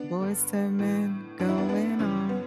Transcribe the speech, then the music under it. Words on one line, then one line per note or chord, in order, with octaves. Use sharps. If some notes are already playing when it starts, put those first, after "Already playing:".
Boyz II Men going on
Already playing: B3 D4
G2 D3
A2 E3
F#2 E3 D4
E4
B3 D4
B3 D4
F#2 C#3 E3 C#4
B3